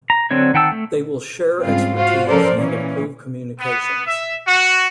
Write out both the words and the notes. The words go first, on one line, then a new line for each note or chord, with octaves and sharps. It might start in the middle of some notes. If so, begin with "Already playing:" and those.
They will share expertise and improve communications.
A#5
D3 F#3 C4 D4 C#5
D#3 F#5 G5 A5 E6
A3
G#2 C#3 G3 C4 F4
F4 F#4 C5 F5
F3 C#4 A4 A#4 C5 D5
A#2 E3 C#4
B3
E5
F#4